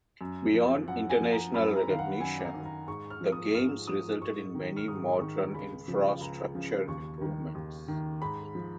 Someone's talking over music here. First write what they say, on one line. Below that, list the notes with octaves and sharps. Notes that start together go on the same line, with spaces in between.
Beyond international recognition, the Games resulted in many modern infrastructure improvements.
F#2
F3
F#2 F#5
G#5
F3
A#5
F#2 B5
A#5
D#3 F5
F#5
F#2 G#5
A#5
D#3
A#5
G#2 C#6
F6
F3
D#6
G#2 F6
F3 D#6
G#2 C#6
D#3
F6
G#2 D#6
D#3 C#6
C#2 B5
C#3 F3
C#2 A#5
C#3 F3
D#2 C#6
D#3
D#2
D#3
G#2 B5
F3